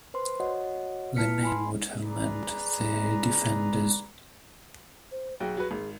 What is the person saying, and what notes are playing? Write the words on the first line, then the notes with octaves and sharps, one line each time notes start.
The name would have meant the "defenders".
B4 C5 C6
F#4 C#5 D#5 F#5
E4 B4 A5 F6 B6 C#7
G#5 B5 C6
G#4 B4 D5 A#5
C5
B1 F#4 G#4 G5
F#3 F#4 B4
G#1 G#4